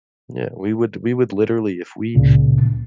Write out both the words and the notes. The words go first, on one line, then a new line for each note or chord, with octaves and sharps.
Yeah, we would we would literally if we
C#2 A#2 C#3